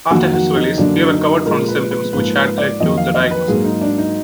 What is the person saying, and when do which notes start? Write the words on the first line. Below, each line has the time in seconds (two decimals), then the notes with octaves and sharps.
After his release, he recovered from the symptoms which had led to the diagnosis.
0.11 F2 D#3 F#3 A#3 F#4
0.33 F#4
0.56 D#4
0.78 F#2 D3 F#3 A#3 D4
1.12 D#4
1.46 A#2 F3 G#3 A#4
1.68 B4
1.91 B4
2.13 G#2 F3 A#3 B4
2.36 B4
2.58 D5
2.80 F2 D#3 F#3 A#3 D#5
2.97 F5
3.14 D#5
3.31 B4
3.48 G#2 F#3 A#3 G#4
3.64 D#4
3.81 D4
3.98 D#4